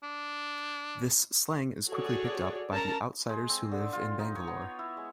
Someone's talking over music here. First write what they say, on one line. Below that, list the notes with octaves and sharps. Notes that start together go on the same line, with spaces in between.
This slang is quickly picked up by the outsiders who live in Bangalore.
D4
F#4 G#4 A4 C#5 D5
C#4 A#4 A5 A#5
G#3
C4
D3
F4
D#4
C#5
B3
C#5
E4
G#3